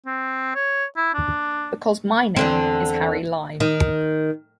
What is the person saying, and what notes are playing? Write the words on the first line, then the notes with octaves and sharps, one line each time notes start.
Because my name is Harry Lime.
C4
C#5
E4
D4
E2 D3 C4
D#3